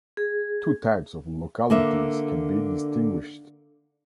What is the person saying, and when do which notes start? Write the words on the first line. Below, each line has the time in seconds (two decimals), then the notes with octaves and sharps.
Two types of localities can be distinguished.
0.17 G#4
1.70 D3 A#3 E5